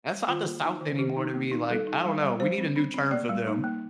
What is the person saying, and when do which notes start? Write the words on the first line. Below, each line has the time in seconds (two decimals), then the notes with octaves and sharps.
That's not the South anymore to me. Like, I don't know. We need a new term for them.
0.11 G3
0.28 D#3 F4
0.46 A#3
0.64 D#4
0.81 D#3
0.99 D#3 G4
1.17 D#4
1.34 A#3
1.52 D#4
1.69 G3 A4
1.87 D#4
2.05 G3
2.22 G3
2.40 G3 C5
2.58 C4
2.76 C4
2.94 C4
3.11 A#3 D5
3.29 G3
3.47 D#4
3.64 A#3